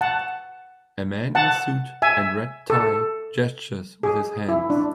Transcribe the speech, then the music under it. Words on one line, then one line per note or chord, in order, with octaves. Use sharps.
A man in a suit and red tie gestures with his hands.
F#5 A5
F#5 A5
E5 G#5
A4
G#4
E4
D4